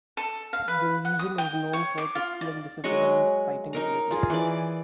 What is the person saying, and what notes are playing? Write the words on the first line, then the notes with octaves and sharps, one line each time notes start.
The Legion was known for its excellent discipline and fighting ability.
A4
F5
B4
F#5
D#6
G5
C#5
D6
F4
D5
F#3 G#3 D#5 C#6
D#4 A#4 A#5
F4 G#4
E3 D5